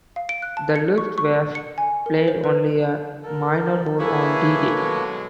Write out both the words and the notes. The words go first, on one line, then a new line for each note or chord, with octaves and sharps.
The "Luftwaffe" played only a minor role on D-Day.
F5
D7
F#6
A5
C#7
C#6
C#6
C#7
G#5
A#4
C5
B4
A4 A#4
A#3 E4 G#4 A4 B4 C#5
B2 F#3 G#3